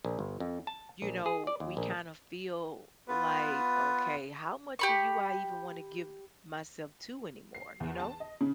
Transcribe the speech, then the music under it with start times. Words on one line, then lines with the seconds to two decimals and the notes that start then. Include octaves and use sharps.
you know, we kind of feel like, "Okay, how much of you I even want to give myself to anymore?" You know?
0.05 A#1
0.19 G1
0.40 F2
0.67 A5
1.02 A#1
1.26 G#4
1.47 D5
1.60 D#2
1.77 A#1
3.08 B3 F4 B4
4.79 G4 B5 C#6
7.55 C7
7.80 E2
7.99 A5
8.20 D#5
8.41 C#3